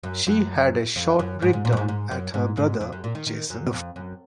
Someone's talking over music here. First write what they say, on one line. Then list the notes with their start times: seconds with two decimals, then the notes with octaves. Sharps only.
She has a short breakdown at her brother, Jason.
0.03 F#2
0.27 F#2
0.96 F2
1.19 F#2
1.42 G#2
1.53 G#2
1.65 A#2
1.72 F#2
1.77 G#2
1.89 G#2
2.11 F#2
2.34 G#2
2.57 G#2
2.81 F2
2.92 F#2
3.04 A#2
3.15 D#3
3.27 D#3
3.50 F#2
3.73 F2
3.96 F#2